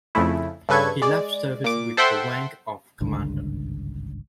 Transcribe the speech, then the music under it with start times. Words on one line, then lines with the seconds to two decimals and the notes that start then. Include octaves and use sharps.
He left service with the rank of commander.
0.15 F2 C#3 A3 E4
0.69 G2 C#3 A4 B4 C#6 G#6
1.02 G#3 D5
1.64 A#2 D6
1.97 A4 C5 E5 F#5 G5 C6
3.00 G#1 C#2 G2 D3